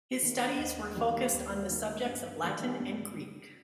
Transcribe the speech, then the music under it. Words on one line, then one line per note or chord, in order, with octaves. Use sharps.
His studies were focused on the subjects of Latin and Greek.
D#3 A#3
C5
D#2 D#5
D#3 G3 A#3
D#2
D#3 A#3
G2
D#3 G3 A#3
G2